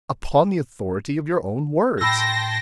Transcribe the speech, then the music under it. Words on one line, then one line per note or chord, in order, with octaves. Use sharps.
"Upon the authority of your own words."
A2 G5 A5 B5 C6 E6 A#6